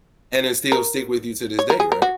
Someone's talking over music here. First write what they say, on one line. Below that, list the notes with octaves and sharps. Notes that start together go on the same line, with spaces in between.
And it still stick with you to this day, right?
A#4
C#5
A#4
G#4
A#4
F#4